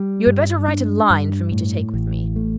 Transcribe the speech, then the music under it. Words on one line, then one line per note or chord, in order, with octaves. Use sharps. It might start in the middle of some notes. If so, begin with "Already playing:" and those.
You had better write a line for me to take with me.
Already playing: G3
G2
D4
G2
A2
A1
A3